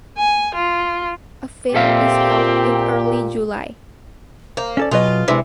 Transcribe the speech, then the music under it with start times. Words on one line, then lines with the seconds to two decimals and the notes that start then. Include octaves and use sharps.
A fair is held in early July.
0.18 G#5
0.55 F4
1.75 A#2 C4 G4 A4 E5 F5
4.57 A#3 C5
4.77 C#4 A4 D5
4.91 B2 F#3 F4 G#4 B4 D#5
5.28 C3 G#3 D4 E4 B4 E5